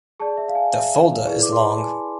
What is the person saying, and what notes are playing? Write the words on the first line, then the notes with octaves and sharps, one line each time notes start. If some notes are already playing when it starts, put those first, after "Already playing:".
The Fulda is long.
G#4 D5 A5
E5
F5
G#5
E5
E4 G#4 B4 D5
D6
C6
B5
A5
G#5